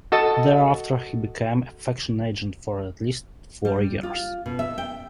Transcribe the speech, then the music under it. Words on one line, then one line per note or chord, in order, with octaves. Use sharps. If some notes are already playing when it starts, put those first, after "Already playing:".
Thereafter he became a Faction agent for at least four years.
F#4 A4 D#5 A5
G3
F4
B2
E5
G5